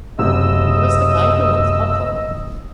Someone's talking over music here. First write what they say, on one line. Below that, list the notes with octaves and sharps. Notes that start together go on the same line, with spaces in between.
Who is the guy who wants popcorn?
F#1 C3 D#5 E6